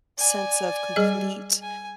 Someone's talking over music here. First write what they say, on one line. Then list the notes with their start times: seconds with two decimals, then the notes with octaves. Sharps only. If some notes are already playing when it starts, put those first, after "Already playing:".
sense of complete
0.18 D5 G#5
0.96 G3 G#4 D#5
1.62 G#5